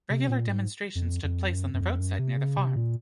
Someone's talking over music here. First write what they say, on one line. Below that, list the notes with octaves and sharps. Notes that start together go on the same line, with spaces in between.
Regular demonstrations took place on the roadside near the farm.
C3
A#2
G#2
F2
F2
F#2
F#2
F2
F#2
C3
C#3
C3
A#2